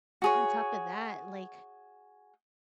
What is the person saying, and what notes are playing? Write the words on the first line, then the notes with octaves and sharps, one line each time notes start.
On top of that, like,
F#4 G#4 C#5